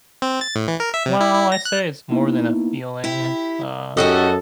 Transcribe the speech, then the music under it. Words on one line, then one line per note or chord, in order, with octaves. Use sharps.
Well, I say it's more than a feeling, uh
C4
A6
A2
E3
A#4
E5
C3
E4
E4
A#6
F#6
A#3 B3 D#4 E4
E4 G4
F#2 C#4 D#4 F#4 G4 A4 D#5